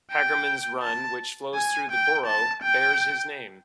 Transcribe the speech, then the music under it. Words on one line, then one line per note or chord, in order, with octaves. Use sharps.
Hagermans Run, which flows through the borough, bears his name.
G5
A5
G#5
G5
A5
G5